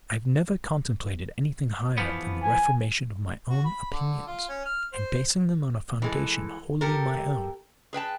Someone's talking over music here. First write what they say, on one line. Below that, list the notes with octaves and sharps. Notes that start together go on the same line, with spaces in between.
I have never contemplated anything higher than the reformation of my own opinions, and basing them on a foundation wholly my own.
E3 F3 B3
G#5
F#4
B5
D3
F4
C#4
F6
C5
E3 G#3 A4
G4 A4 A#4
G#4 B4 G5 A5